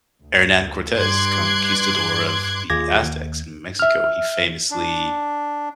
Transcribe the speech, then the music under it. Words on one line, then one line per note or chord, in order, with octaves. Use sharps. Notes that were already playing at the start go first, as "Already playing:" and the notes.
Hernan Cortez, conquistador of the Aztecs in Mexico, he famously
D2
G2 C6 D6 F#6 G#6 C7
D#2 F4 G#4 D6 G#6 A#6
D#2
E5 F6
D4